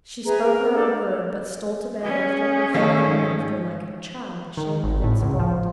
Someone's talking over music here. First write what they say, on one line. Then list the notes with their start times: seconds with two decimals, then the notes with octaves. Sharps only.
She spoke not a word, but stole to bed after her father had left her, like a child ashamed of its fault.
0.24 G#4 B4 E5 A#5
0.40 A#4
0.73 D4 G4 A4 B4
2.01 C#4 G#4
2.74 D#3 A3 D#5 F5
3.07 G#2
4.57 D#3
4.84 G#1
5.03 A2
5.22 C#2
5.39 F3